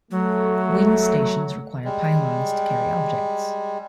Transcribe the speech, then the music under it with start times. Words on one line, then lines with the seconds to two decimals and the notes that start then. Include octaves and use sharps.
Wing stations require pylons to carry objects.
0.11 F#3 A3
1.85 G3 G#3